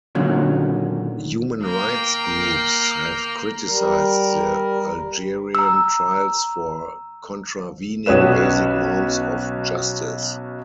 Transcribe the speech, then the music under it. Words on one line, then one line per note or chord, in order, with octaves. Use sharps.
Human rights groups have criticised the Algerian trials for contravening basic norms of justice.
A#2 D3 D#3 F#3 C#4
A#3 G5
G3 A#4
A#5 E6
B1 C#4 B4 E7